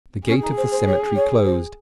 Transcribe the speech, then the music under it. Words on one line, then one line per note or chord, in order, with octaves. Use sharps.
The gate of the cemetery closed.
C#4 G#4
D#4
C5
C5
C#5
C#5
C5